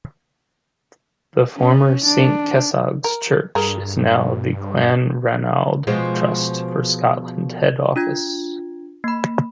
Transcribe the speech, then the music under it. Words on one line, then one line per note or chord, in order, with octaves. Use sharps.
The former Saint Kessog's Church is now The Clanranald Trust for Scotland head office.
C#4
D4
A#4
G2 G#4 A#4
B2 F3 G#3
D4 F4 G#6
A#3 B5